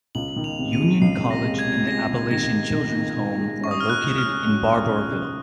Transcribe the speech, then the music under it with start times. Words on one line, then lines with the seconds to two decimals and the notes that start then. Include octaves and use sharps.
Union College and the Appalachian Children's Home are located in Barbourville.
0.15 C#2 F#7
0.36 D#3
0.44 F7
0.59 C3
0.73 D#7
0.80 G#3
1.01 C#2 C7
1.23 C3
1.31 A#6
1.44 G#3
1.59 G#6
1.66 C3
1.87 G#3 A#6
2.09 C3
2.31 D#3 A#6
2.52 C3
2.74 D#3
2.95 D#3
3.17 D#3
3.38 G#3
3.61 C#4 C#6
3.71 D#6
3.81 C#4 F6
3.90 F#6
4.03 C#2
4.18 F6
4.26 C#4
4.47 F#3
4.68 F#3
4.90 C#3
5.11 C#2